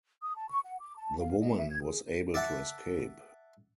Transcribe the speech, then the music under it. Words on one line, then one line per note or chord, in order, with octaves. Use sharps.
The woman was able to escape.
D#6
A5
C#6
F#5
D6
A5
F5
D#5
E5
G#6
G#4
D5 E5 F#5 A5